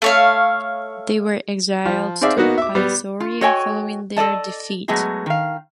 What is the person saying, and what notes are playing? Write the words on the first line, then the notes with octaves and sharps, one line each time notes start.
They were exiled to Isauria following their defeat.
A3 C#5 F5
F3
C4 D#4 G#4 D5 E5 F5
A#3 B3 D#4 F#4
E5 D6
G3 B3
F4
F#4 A4 C#5 D#5 G5 G#5
A4 D5 D#5 A5
F#3 G#3 A3 B3 F#4 G#4
D#3 F5